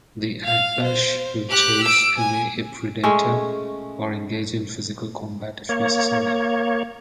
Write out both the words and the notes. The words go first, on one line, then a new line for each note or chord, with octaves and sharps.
The Akbash will chase away a predator, or engage in physical combat if necessary.
F5
C5
G4 F#6
E6 D7
G#5
G#3 A3 C#4
A#3 C#5